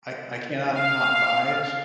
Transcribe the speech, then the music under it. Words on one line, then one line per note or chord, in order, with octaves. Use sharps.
I I cannot not buy it,
F5